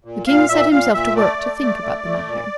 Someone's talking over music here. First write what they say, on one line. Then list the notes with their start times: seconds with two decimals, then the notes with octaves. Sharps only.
The King set himself to work to think about the matter.
0.04 A#2
0.27 A#2 F5
0.49 A#2 E5
0.71 A#2 F5
0.93 A#2 E5
1.15 A3 D5
1.37 A3
1.61 A3
1.82 A3
2.04 A3
2.27 A#2